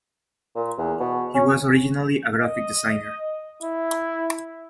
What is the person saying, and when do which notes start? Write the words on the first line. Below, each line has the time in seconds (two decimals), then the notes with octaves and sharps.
He was originally a graphic designer.
0.56 A#2
0.78 E2
1.00 B2
1.34 C#4
2.40 D#5
3.62 E4